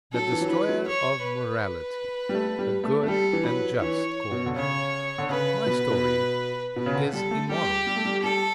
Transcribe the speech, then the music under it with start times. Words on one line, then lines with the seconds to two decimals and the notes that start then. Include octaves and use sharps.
The destroyer of morality, the good and just call me: my story is immoral.
0.13 F#3 A4
0.32 E3
0.41 F#3
0.50 E3 B4
0.69 F#3
0.88 C#5
1.23 B4
2.29 G3
2.34 A3
2.59 G3
2.84 A3
3.03 A3
3.08 G3 A4
3.33 E3
3.44 F#3 B4
3.82 E3 C#5
4.31 B2
4.46 D3
4.56 C#3 C#5
5.18 D3
5.29 C#3 B4
5.66 B2
5.90 B2
6.76 B2 B4
6.86 C#3
6.95 D3
7.13 G3 A4
7.31 A3
7.49 G3 G4
7.87 G3
7.96 A3
8.05 G3
8.23 G3 A4